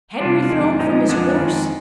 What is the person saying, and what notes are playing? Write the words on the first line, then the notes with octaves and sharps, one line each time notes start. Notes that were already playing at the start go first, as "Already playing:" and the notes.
Henry thrown from his horse?
C3 G3 D4 F4
F2 D#3 G#3
A#2 F3 G#3 C4 D#4
F2 D3 F3 G#3 A#3 D4
F2 D#3 G#3